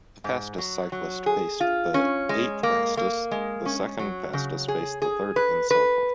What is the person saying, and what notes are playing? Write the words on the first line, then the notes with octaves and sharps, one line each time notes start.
The fastest cyclist faced the eighth-fastest, the second-fastest faced the third, and so forth.
G#2
F#3
F#3
G#4
F4
C#4
G#3
A#3
A#3
G#3
C#4
F#3
C#3
G#4
G#4
B4
B4